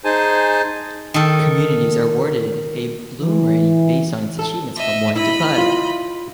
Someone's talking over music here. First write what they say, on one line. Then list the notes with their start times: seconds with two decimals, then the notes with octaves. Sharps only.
Communities are awarded a "Bloom Rating" based on its achievements from one to five.
0.04 D#4 G#4 C5 G#5 A5
1.14 D#3 A4
3.22 E3
4.39 A4
4.76 D#5 E5
5.16 E4 D#5 B5
5.58 F4